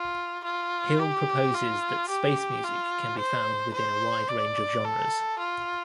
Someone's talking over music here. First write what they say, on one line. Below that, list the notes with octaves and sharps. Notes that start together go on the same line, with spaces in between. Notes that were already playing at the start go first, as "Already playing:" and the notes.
Hill proposes that space music can be found within a wide range of genres.
Already playing: F4
F4
G4
F4
G4
F4
C5
C5
D5
A4
F4